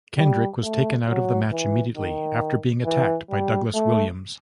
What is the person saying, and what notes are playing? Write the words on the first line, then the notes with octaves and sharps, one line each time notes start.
Kendrick was taken out of the match immediately, after being attacked by Douglas Williams.
G3
A3
F#3
E3
D#3
E3
G3
A3